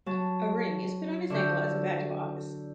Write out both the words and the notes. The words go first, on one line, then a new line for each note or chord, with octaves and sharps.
A ring is put on his ankle as a badge of office.
F#3 A5
D3 E4 F#4 G6